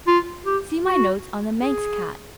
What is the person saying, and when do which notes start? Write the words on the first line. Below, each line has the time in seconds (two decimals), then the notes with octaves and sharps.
See my notes on the Manx cat.
0.07 F4
0.46 G4
0.84 F#4
1.62 G#4